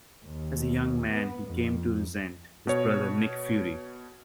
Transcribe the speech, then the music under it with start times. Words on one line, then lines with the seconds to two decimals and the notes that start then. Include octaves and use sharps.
As a young man, he came to resent his brother Nick Fury.
0.24 D#2
1.13 B3
1.51 F2
2.67 B2 C#5